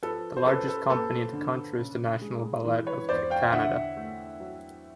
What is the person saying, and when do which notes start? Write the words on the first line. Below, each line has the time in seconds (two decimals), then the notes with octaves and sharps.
The largest company in the country is The National Ballet of Canada.
0.03 F3 A4 B4
0.37 C5
0.46 C#4 A4 B4
0.68 A4 B4
0.89 A#3 A4 B4
1.33 D3
1.77 C#3
2.21 G#3
2.65 E3
2.86 B4 C#5
3.09 E2 C5 D5
3.30 F5 G5
3.52 D3 E5 F#5
3.97 A3
4.40 F#3